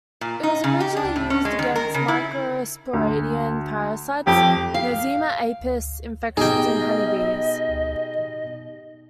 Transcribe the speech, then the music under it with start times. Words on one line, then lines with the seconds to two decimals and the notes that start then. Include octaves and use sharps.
It was originally used against microsporidian parasites "Nosema apis" infections in honey bees.
0.21 A#2
0.43 D#4
0.64 C#3
0.80 G4
0.97 D4
1.16 A2
1.30 C#4
1.45 G#3
1.59 D#3
1.76 A#4
1.94 C#3
2.08 E4
2.93 D2
4.27 F2 G4
4.74 F5
6.37 B2 D#4 G4 G#4 D#5 G5